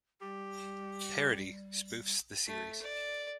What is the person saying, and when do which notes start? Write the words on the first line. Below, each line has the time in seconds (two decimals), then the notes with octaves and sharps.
Parody, spoofs the series.
0.21 G3 G4
2.48 A3
2.82 D5